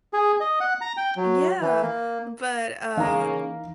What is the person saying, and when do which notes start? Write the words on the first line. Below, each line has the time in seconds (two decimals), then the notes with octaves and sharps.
Yeah, but, uh,
0.13 G#4
0.40 D#5
0.60 F#5
0.81 A#5
0.97 G5
1.17 F#3
1.62 E3
1.82 A#3
2.98 C#3 E3 A#3 D#4 F5 A#5